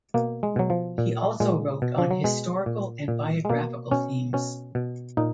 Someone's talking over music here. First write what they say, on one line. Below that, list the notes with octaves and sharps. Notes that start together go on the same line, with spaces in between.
He also wrote on historical and biographical themes.
B2 A#3
G#3
B2 F#3
F3
A#2
A#2 G#3
B2
F3
F#3
B2 G#3
A#2
A#2
G#3
B2 A#3
B2 C#4
B2 C#4
B2
A#2 D#4